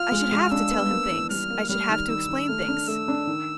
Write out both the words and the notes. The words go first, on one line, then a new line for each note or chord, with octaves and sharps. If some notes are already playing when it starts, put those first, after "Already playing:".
I should have to tell him things, I should have to explain things----.
Already playing: F4 F6
G#3
G#3
D4 E6
B3
A#3
E3
G3 F6
A#3
G3 F6
D#3
D#3 E6
D#3
A3 F6
D4
A3 E6
D4
D#3